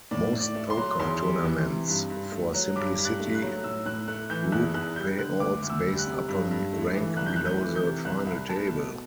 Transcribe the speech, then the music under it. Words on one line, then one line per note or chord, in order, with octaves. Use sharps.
Most poker tournaments, for simplicity, group payouts based upon rank below the final table.
A2 D5
A2
D5
A3
C6
F#3
E2 C6
G3
E3
C3
G2
G2
A3
F#3
G2 D6
G2
F#6
A3
F#6
F#3
A2 E6
A2 F#6
A3 F#6
E3 G6
E2 F#6
E2 F#6
G3 G6
D3 F#6
D2 D6
D2
E6
G3
F#6
C3
G2
G2
A3
E3
C2 F#6
G6
F#6
A3
G6
E3
G6
C3
C2 F#6
C2
A3 A5
B2